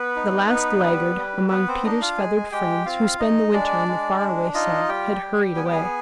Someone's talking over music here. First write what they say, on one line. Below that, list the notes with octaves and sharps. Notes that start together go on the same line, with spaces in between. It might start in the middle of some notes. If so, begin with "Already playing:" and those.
The last laggard among Peter's feathered friends who spend the winter in the far-away South had hurried away.
Already playing: B3 B4
D#4
B3
G3
G3
B3 B4
C4 C5
D4 D#4 D#5
F4 F5
G#3 G#4 G#5
G#3 G4 G5
C4 F4 F5
D#4 D#5
G#3 D4 D5
G#3
D4
D#4 F4 D#5
G3 G4 G5
G3
B3 G#5
G5
G#4 G#5